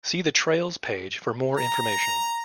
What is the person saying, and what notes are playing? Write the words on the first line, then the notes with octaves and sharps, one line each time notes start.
See the Trails page for more information.
A#5